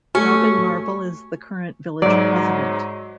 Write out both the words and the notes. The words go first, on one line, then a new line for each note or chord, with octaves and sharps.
Robin Marvel is the current Village President.
A3 C#4 F#4 G4 C#6
G#2 F#3 D5